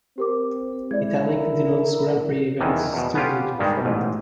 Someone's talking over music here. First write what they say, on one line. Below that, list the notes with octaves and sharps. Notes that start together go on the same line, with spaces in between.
Italic denotes Grand Prix events still due to perform.
C4 G4 A#4 D6
G#3 E4 D5 G#6
D3 A#4
E2 D#3 E3
E2 B2
B3 C#4 F4 G4
G2 D#3 G3 G#3
A1 G#2